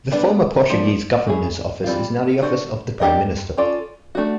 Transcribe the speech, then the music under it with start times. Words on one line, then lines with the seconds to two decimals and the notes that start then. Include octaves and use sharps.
The former Portuguese Governor's office is now the office of the Prime Minister.
0.12 G3 B3 D4
0.70 F3 A#3 D4
1.27 C#4 E4 G#4
1.84 E3 G3 C4 F4
2.42 D4 F#4 A4 C5
3.00 D4 G4 A#4 D#5
3.57 C#4 F4 A4 D5
4.15 A3 D4 F#4